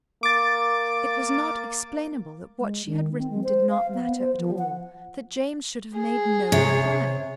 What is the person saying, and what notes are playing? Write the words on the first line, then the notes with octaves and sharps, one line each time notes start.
It was not explainable that what she had written did not matter at all, that James should have made no reply.
A#3 D6 A6
G#3
D#3
C4
G#3
C5
F5
B3
C5
F3
F#5
G#4
C3 C#5